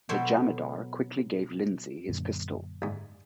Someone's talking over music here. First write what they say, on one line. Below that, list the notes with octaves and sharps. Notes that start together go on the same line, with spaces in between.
The jamadar quickly gave Lindsay his pistol.
B2 F#3 A4 C5 C#5 G5
F#2 A#2 D3
D2 G#2